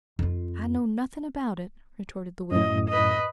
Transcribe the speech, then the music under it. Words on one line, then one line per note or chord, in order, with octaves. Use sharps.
"I know nothing about it," retorted the widow.
F2 F4
F#2 A2 D#5
B4 D#5